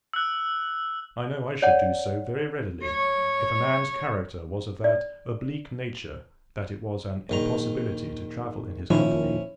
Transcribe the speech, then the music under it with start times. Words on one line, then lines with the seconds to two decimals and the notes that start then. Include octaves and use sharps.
I know I should do so very readily, if a man's character was of that oblique nature that it was an impossibility to travel in his company.
0.13 E6 F#6
1.62 C#5 D5 F#5 A5
2.83 C#5
4.84 D5
7.30 A#1 D#3 A#5
8.90 A#2 D#3 F3 C#4 E4